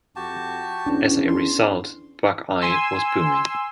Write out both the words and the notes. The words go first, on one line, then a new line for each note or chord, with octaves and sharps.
As a result, Buckeye was booming.
F2 F#4 G4 A5
E2 C#4 D4
C6
G#5 C6 E6